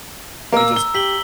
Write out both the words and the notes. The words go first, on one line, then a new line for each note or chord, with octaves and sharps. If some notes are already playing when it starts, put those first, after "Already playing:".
you just
A#3 A#4 A#5 E6
G7
G4 B6 F#7 G7